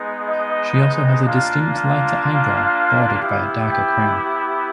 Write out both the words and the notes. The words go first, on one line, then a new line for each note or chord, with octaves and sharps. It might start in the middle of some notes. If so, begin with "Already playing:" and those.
She also has a distinct light eyebrow bordered by a darker crown.
Already playing: G#3 B3 D#4
D#5
A#3 D4 F4 F5
F5
B3 E4 G4
G5